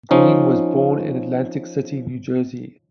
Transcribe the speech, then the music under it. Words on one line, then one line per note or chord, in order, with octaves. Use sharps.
Green was born in Atlantic City, New Jersey.
F3 C#4 D#4